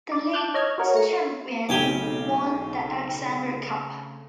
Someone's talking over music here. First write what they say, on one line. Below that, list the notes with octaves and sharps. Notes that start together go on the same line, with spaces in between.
The league's champion won the Alexander Cup.
D5
A5 D6 F#6 G6
C#5 D#5 F6 G#6
F#4 A#4 C#5
A3 A#5 C#7
B1 C#3 A3 C4 G4 G#5 D6